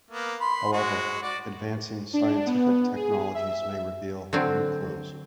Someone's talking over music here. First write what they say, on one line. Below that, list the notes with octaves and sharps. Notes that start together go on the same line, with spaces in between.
However, advancing scientific technologies may reveal new clues.
A#3 B3
B5 C6
G#3 F#4
F#4 D5
D4
B3
G#4
E5
D3 F#3 C4